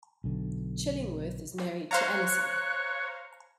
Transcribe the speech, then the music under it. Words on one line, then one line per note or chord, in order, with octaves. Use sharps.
Chillingworth is married to Alison.
B1 D3
C5 C#5 F5 A#5 F#6